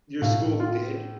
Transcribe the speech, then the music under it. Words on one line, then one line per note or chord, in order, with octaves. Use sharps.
your school did
A2 F5
F4